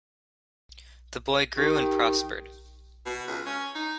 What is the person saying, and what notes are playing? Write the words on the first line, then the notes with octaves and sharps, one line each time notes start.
The boy grew and prospered.
D#3 G4
B2
C#2
C#4
D#4